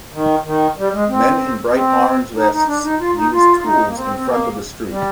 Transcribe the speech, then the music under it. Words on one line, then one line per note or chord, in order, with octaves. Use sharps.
Men in bright orange vests use tools in front of a street.
D#3
D#3
G3
G#3
C4
C4
D#4
D#4
D4
D#4
F4
D#4
F4
F4
D#4
A#3
C4
C4
A#3
G3